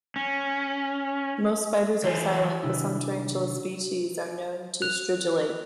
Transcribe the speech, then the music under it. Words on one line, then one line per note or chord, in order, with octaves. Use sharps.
Most spiders are silent, but some tarantula species are known to stridulate.
C#4
E3 C5 G#5
C3 D#3 D4 E4 G#4
F#6 F7